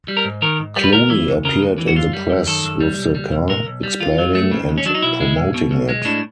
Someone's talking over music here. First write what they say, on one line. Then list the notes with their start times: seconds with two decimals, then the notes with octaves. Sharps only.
Clooney appeared in the press with the car, explaining and promoting it.
0.08 G3
0.17 A#4
0.25 G#2
0.42 D#3 A#4
0.59 G#2
0.76 G3
0.84 B4
0.93 D2 A#4
1.10 E3
1.28 D2
1.45 C#3 A#4
1.62 D2
1.78 E3
1.88 F#4
1.96 F#2 F4
2.13 G3
2.30 F#2
2.47 D#3 A4
2.64 F#2
2.80 G3
2.99 B1
3.15 G3
3.32 B1
3.49 A#2 A#4
3.66 B1
3.83 G3
4.00 D#2 F4
4.18 F#3
4.35 A3
4.51 C#3
4.69 D#2
4.78 C#4
4.86 F#3 D4
4.95 D#4
5.02 B1 E4
5.20 G#3
5.37 B1
5.54 B2
5.71 B1
5.89 G#3
6.05 A2 D4